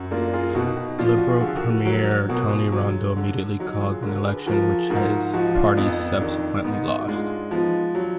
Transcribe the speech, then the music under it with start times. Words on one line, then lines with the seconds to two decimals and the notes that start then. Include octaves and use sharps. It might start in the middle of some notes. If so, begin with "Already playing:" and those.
Liberal Premier Tony Rundle immediately called an election, which his party subsequently lost.
Already playing: F#2
0.11 A#3 D4 F4
0.33 F4 G#4
0.55 B2 D#4 F#4
0.76 D#4 F#4
0.98 F3 D4 F4
1.18 F#4
1.28 F4 G#4
1.40 D3 F#4
1.48 G#4
1.56 F#4 A#4
1.85 F#3 F#4 A#4
2.29 B2 F#4 A#4
2.50 F4 G#4
2.72 F#3
3.17 D3
3.59 F#3 D#4 F#4
3.81 F4 G#4
4.03 D3 F#4 A#4
4.25 G#4 B4
4.46 F3 F#4 A#4
4.78 G#4
4.90 G#2 F#4 A#4
5.33 F3 D#4 F#4
5.55 D4 F4
5.77 F2 B3 D#4
5.99 B3
6.21 D#3 D4
6.64 G#2 B3 D#4
6.99 F#4
7.07 G#3 D4 F4
7.51 F3 B3 D#4
7.95 F#3 D4